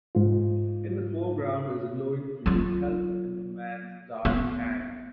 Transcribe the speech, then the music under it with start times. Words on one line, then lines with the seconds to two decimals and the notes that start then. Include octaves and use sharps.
In the foreground is a glowing tree held in the man's dark hand.
0.15 G#2 F4
2.46 F#3 F4
4.25 B3